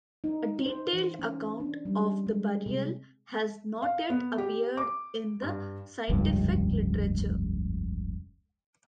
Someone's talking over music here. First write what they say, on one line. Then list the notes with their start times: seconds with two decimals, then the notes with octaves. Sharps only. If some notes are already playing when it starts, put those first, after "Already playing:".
A detailed account of the burial has not yet appeared in the scientific literature.
0.24 D#4
0.66 C5
0.93 E3
1.19 C#4
1.60 D4
1.85 G3
2.27 G#3
2.66 C3
3.82 F5
4.10 B3
4.38 G4
4.77 D6
5.42 G2
6.09 F1 C#2 G2